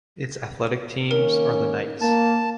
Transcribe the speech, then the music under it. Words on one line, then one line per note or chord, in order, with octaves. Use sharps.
Its athletic teams are the Knights.
D#3 A#3 C#4 A#4
A#3 A5